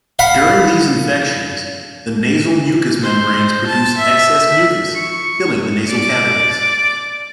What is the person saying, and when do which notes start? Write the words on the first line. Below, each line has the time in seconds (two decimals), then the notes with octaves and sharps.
During these infections, the nasal mucous membranes produce excess mucus, filling the nasal cavities.
0.19 F5 F#5 B5
3.01 C5
3.67 A5
3.97 E5
4.95 C#6
5.90 D5